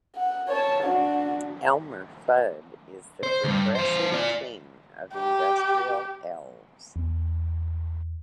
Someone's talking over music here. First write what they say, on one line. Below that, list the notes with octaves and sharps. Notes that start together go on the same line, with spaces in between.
Elmer Fudd is the progressive King of industrial Elves.
F#5
C#5 A5
D4 F#4
C5
D2 G2
E3 C5
F4 D5
G4
E2